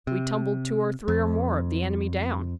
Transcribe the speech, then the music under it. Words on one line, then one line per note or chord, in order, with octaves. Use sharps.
We tumbled two or three, or more, of the enemy down.
C3
F2